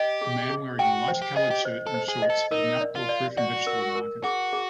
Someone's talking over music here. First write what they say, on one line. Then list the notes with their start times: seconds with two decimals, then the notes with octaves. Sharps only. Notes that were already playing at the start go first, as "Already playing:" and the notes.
A man wearing a light colored shirt and shorts at an outdoor fruit and vegetable market.
Already playing: G4 D#5
0.21 G#4
0.50 G#4
0.79 F#4 G5
1.08 C5
1.22 G4
1.36 G#4 D#5
1.51 G4
1.65 C5
1.87 A4
1.94 C5
2.08 G#4
2.22 D#5
2.30 A4
2.51 D#4 A#4
2.81 D5
2.95 F4
3.09 D5
3.37 F#4 D5
3.67 A#4
3.95 A#4
4.23 F#4 G#4
4.53 G#4